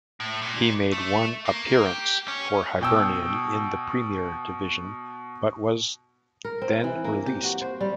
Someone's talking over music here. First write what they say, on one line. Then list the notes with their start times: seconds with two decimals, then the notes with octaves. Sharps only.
He made one appearance for Hibernian in the Premier Division, but was then released.
0.20 A2
0.42 A#2
0.92 A3
1.45 A#3
1.85 G4
2.28 C#4
2.81 B2 G5 E6
6.44 A#4
6.62 C4
6.84 E3
7.04 A#3
7.27 G4
7.44 F#4
7.61 C5
7.81 G3